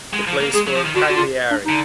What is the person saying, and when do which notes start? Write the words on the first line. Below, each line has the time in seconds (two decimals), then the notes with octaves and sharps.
He plays for Cagliari.
0.13 G#3
0.28 F3
0.41 A#3
0.54 G#3 G#4
0.67 F#3
0.75 F3
0.85 D#3
0.95 D3 F#4
1.10 F#4
1.16 F4
1.51 D4
1.65 D3 D#4